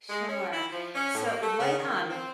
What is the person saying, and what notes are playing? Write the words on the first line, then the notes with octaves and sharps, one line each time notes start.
Sure. So what um,
G#3
C#4
E4
F3
C#4
A2
A#3
A3
C#3
D#3
C4